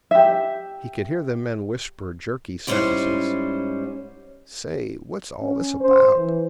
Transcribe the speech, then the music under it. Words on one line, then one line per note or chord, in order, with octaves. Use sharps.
He could hear the men whisper jerky sentences: "Say--what's all this--about?"
G4 E5
G#2 G3 B3 C#4 E4 C5
C#4
C5
E3